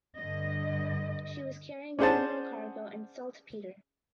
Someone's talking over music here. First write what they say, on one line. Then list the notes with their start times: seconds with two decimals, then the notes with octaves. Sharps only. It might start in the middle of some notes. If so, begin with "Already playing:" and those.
She was carrying general cargo and saltpeter.
0.18 G2 D3 D#5
1.99 C#4 D4 G#4 C5 F#5 A5